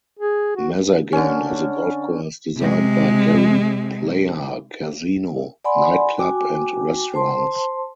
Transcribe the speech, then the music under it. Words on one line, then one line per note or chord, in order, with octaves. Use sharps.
Mazagan has a golf course designed by Gary Player, casino, nightclub and restaurants.
G#4
F#4
D3 C#4
C3 G#3
D5 F#5 G#5 B5 C6
F#4 G5 G#5 D6
C5 A5 C6